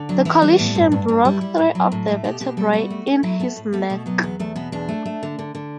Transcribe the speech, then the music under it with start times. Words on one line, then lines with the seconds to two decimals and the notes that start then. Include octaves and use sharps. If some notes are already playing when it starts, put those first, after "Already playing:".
The collision broke three of the vertebrae in his neck.
Already playing: D3
0.09 F#3 D4
0.25 E3 E4
0.42 G3 C4
0.58 A2 B3
0.75 G2 C4
0.92 G2 D4
1.08 G2 D4
1.25 G3 E4
1.41 G3
1.58 A2
1.75 F#3
1.92 A2
2.08 A3
2.24 B2 G4
2.41 B2 G4
2.57 G3 A4
2.73 A3 F#4
2.90 A3
3.07 A3
3.23 F#3 E4
3.40 A3 B3
3.56 A2
3.73 A3 B3
3.90 B2 A3
4.06 F#3 B3
4.23 E2 B3
4.39 E2 A3
4.56 B2 B3
4.72 E2 D4
4.89 A3
5.05 A3
5.23 D3
5.39 D3
5.55 D3